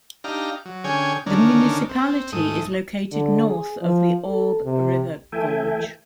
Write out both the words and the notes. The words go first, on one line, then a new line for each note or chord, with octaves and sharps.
The municipality is located north of the Orbe river gorge.
D4 D#4 G4 F5 A#5
F#3
D3 C#4 G#4 C#5 G5 G#5
D3 D#3 C#4 D4 A#4
C4
G#2 D#3 A3 D#6
D3
G#4
F3
A4
C3
E3 A3 A4 E5 G5 G#5